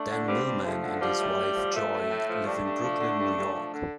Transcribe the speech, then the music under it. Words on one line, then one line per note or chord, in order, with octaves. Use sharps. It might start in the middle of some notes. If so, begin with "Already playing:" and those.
Dan Millman and his wife Joy live in Brooklyn, New York.
Already playing: A3 D4
D3
G2 G3 C4
G2
F3 A3
D3
F3 G3
A2
A2
F3
F3 A3
A2
A2
F3
G2 A3 D4
G2
F3
D3
G2
G2
F3
D3